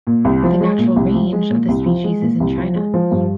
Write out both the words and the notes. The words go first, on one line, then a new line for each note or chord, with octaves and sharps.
The natural range of the species is in China.
A#2
C2
F3
G#3
A#2
C2
F3
G#3
A#2
C2
F3
G#3
A#2
C2
F3
G#3
F3
G2